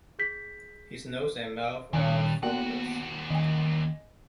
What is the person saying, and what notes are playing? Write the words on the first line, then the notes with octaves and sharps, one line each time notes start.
His nose and mouth are faultless.
G#4 G6 B6
G2 A#2 D#3 C#4 G#5
D#2 A#3 B3 F#4 F#5 G5 A5
D#3 A#3 C#4 D#5 G#5